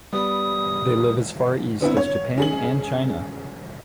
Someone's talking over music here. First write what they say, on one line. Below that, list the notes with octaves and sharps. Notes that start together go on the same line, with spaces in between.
They live as far east as Japan and China.
G3 B3 D#6
D3 B3 C4 E4
C#5
C#4 G#4 F#7